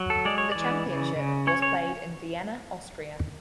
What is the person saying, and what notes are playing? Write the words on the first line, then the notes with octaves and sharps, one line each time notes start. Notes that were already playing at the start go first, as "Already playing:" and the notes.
The Championship was played in Vienna, Austria.
Already playing: F#3
A4
G#3 D5
C#5
E3 D5
C#3
C#3
C#4 C#5
C#5